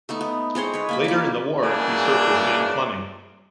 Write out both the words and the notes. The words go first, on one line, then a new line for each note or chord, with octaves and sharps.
Later in the war, he served with Ian Fleming.
A3 B3 D#4
B3
G#3 C4 C#5 C6
B4 C#5
A#3 D5 B5
A#3 E4
C#3 E3 F#3 G#3 A#3 D4